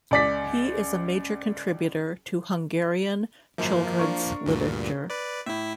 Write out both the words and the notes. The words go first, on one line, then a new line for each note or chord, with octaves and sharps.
He is a major contributor to Hungarian children's literature.
C#2 D5 B6
G#1 F#2 F3 A#3
D4 A#4 C#6
D2 G2 A#2
B4 D5
A2 E4 E5